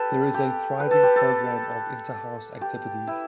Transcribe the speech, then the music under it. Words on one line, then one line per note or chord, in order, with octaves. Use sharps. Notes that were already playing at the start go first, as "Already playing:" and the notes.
There is a thriving programme of inter-House activities.
Already playing: G4 A4 B4
G4
B4
A4
G4
A4
G4
E4